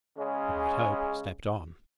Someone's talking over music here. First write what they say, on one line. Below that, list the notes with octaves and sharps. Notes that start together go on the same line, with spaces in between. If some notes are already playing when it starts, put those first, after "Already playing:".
The White Hope slept on.
C#3 G#3 C#4